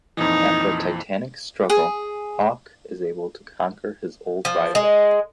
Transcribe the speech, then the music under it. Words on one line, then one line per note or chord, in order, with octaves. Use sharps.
After a titanic struggle, Hawk is able to conquer his old rival.
F2 A#2 E3 D#4
G#4
F3
G#3